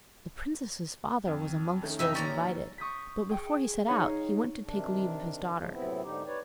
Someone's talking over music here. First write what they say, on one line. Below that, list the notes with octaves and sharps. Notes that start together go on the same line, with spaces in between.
The princess's father was amongst those invited, but before he set out he went to take leave of his daughter.
F2
D#3 A3 C#4
F1 F2 C#3 D#4 E5 D#7
A1 A#2 D#3 C#4 D5 A#5
C#6 D#6 G6 B6
G#4 G5 C#7
D#4 C#5 F5
C3 D#3 D4
C#3 F3
F#2 A2 C3 B3 C4 E4
G#2 D3 D#4 G4
B4 C#5 D5